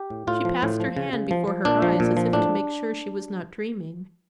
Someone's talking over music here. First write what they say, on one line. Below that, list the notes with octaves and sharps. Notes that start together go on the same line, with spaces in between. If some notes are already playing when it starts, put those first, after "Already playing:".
She passed her hand before her eyes, as if to make sure she was not dreaming.
Already playing: G4
A2
A2 F4
F3
A2
F3
C#3
C#3
F3
F3
A#2 D4
F3
A#2
F3
A2 D4